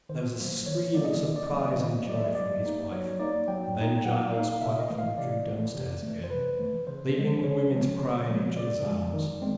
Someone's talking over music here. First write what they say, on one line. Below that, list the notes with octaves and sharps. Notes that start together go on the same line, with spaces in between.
There was a scream of surprise and joy from his wife, and then Giles quietly withdrew downstairs again, leaving the women to cry in each other's arms.
D#3 C5
F#3 A#3
D#3 C#5
F#3 A#3 D5
D#5
D5
D#3 D#5
D5
F#3 A#3 D#5
D5
D#3 D#5
F#3 A#3 D5
E5
D#5
F#3 D5
A#3 D#4
F#3 C#5
A#3 D#4 D5
F#3 G5
A#3 D#4
F#3 F#5
A#3 D#4 F5
C3 E5
D#5
E3 A3
F5
C3 D5
E3 A3
C3
E3 A3
C5
C3 B4
E3 A3
C#3 C5
F3 G#3
C#3 C#5
F3 G#3
C#3
F3 G#3
C#3 D5
F3 G#3
D#3
G#3 C4